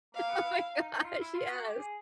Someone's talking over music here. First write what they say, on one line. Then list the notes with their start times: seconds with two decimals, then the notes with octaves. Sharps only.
Oh my gosh, yes.
0.15 A#3 F5
0.29 B3
0.45 E4
0.75 D#4
0.90 D#4
1.05 F4
1.20 E4
1.35 F4
1.50 F#4
1.65 G4
1.79 G#4